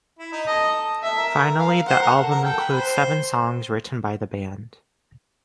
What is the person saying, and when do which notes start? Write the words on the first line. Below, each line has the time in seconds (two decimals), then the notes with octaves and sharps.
Finally, the album includes seven songs written by the band.
0.19 E4
0.32 D#4
0.47 A4 D#5
1.03 A4 E5
1.18 A#4
1.60 F5
1.88 C5 F#5
2.02 A#4
2.16 A4
2.31 A#4
2.44 A4 G5
2.59 B4
2.72 C5